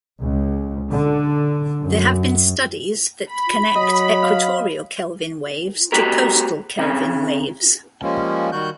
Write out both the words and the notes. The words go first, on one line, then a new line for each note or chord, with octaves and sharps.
There have been studies that connect equatorial Kelvin waves to coastal Kelvin waves.
C#2
D3
F#2
B5
F#3 D#5
F5
A#3 F#4 G4 A#4
C3 C#4
F3 G3 G#3 A#3 C#4
D#3 G3 F#4 F#6 G6